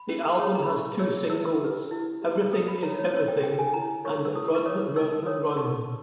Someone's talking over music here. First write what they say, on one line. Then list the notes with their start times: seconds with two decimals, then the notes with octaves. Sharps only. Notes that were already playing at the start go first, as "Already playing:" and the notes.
The album has two singles; "Everything Is Everything" and "Run Run Run".
Already playing: B5
0.09 C#4
0.38 G#4 C#5
0.55 A#5
0.63 B5
0.69 C#4 C#6
0.99 G#4 C#5 E6
1.30 E4 E6
1.61 G4 B4
1.91 E4
2.22 G4 B4
2.52 C#4 D#6
2.68 B5
2.83 G4 C#5 A#5
2.99 C#5
3.13 C#4 C#5
3.28 G5
3.43 G4 C#5 G5
3.59 G#5
3.74 E4 A#5
4.04 A#4 C#5 C#6
4.25 E6
4.35 E4 D#6
4.55 C#6
4.66 A#4 C#5 D#6
4.96 D#4 E6
5.26 A#4 C#5 D#6
5.57 D#4 C#6